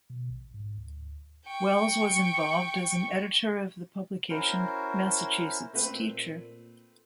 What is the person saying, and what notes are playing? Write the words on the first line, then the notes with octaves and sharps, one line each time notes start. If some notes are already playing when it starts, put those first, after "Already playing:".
Wells was involved as an editor of the publication "Massachusetts Teacher".
B2
A#1
G#2
D2
G5 C#6
C#4 E4 F#4 A#4 C5
A#2 A3 C4 B4